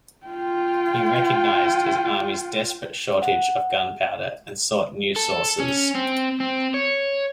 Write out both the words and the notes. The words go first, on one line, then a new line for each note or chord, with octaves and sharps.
He recognized his army's desperate shortage of gunpowder and sought new sources.
F4 G5
F#5
A4
C#4
C4
C4
C#5